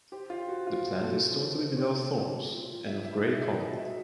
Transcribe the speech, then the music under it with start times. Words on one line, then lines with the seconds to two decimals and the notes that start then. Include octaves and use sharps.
The plant is totally without thorns and of gray color.
0.12 G4 C5
0.30 F4
0.48 F#4
0.67 F4
0.85 F#4
1.03 A4
1.22 C5
1.77 C#5
2.25 F4
2.32 F#4
2.50 F4
2.68 F4
2.87 E5
3.04 E5
3.23 D#5
3.41 F#4 E5
3.60 D#5
3.78 E5